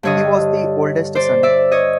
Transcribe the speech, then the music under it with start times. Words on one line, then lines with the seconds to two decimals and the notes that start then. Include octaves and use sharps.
He was the oldest son.
0.03 G2 D3 C#5 D#5
1.15 C5 D5
1.43 D5 E5
1.71 C#5 D#5